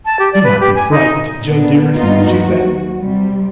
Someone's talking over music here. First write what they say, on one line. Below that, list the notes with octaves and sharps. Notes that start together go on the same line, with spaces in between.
"Do not be frightened, Joe dearest," she said.
A5
G4
D5
B4
G4
G#5
D#4
A#2 B3 D4
G2 A#3 B3 D#4 F4
D#2 F#3 F#4
C3 G3